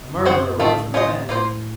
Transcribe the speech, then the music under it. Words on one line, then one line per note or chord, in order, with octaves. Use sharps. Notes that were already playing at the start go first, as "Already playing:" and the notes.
A murmur arose from the men.
F#2
C4 F#4 C5
A2 A3 C4 F4
C#4 F4 C5 D#5
A2 A#3 F4 C5